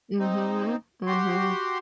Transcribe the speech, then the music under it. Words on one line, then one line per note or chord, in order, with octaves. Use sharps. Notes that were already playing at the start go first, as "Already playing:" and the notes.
Mhm, mhm.
C4 D#4
F#4 G4 C6